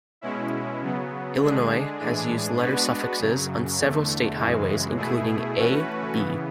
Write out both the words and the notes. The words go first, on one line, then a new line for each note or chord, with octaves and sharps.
Illinois has used letter suffixes on several state highways, including "A", "B".
B2 G#3 C#4 E4
C#3 F#3 B3
D3 G#3 D4 G#4
A2 E3 G#3 D4 G#4
G#3 B3 D4 F#4 B4
F#2 C#3 F#3
E2 D3 A3
F#2 C#3 E3 G#3
B2 A3 E4 G#4
E3 A3 C#4 F#4 B4
C#3 E3 B3